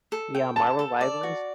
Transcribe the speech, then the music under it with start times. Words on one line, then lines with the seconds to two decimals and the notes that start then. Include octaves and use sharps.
Yeah, Marvel Rivals
0.12 A4
0.35 G5
0.56 A4 A5
0.79 A4
1.01 D5
1.23 F#4